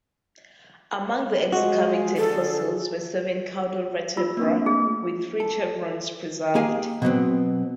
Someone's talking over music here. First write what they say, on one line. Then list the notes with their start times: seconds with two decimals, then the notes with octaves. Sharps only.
Among the excavated fossils were seven caudal vertebrae with three chevrons preserved.
1.52 F3 G#3 F#4
2.17 D3 G#4 A4
4.17 F4 E6
4.37 A#3 C4 D4
4.66 A3 G#4
5.40 A4
6.55 A#3 G4 G#4 F5 G5 G#5
7.02 B2 F#3 B3 C4